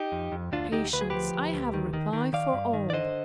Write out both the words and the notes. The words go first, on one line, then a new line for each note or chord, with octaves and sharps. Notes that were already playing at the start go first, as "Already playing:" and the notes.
"Patience, I have a reply for all."
Already playing: D#4 G4
F2
F2
D2 D4 F4
D2 D#4 G4
D2 B4
G#4
F3 G4 B4
D2
D2
D#3
D#3
D#3
D#3 D5 F5
G2
D#3
D5
D3 C5 D#5